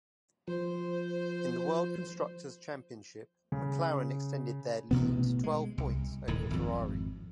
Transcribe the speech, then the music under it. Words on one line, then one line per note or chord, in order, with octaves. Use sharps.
In the World Constructors Championship, McLaren extended their lead to twelve points over Ferrari.
F3 C5
C#3
A1 B2 B3
G#3
C2
D#1 A2 D#3
G#1 F2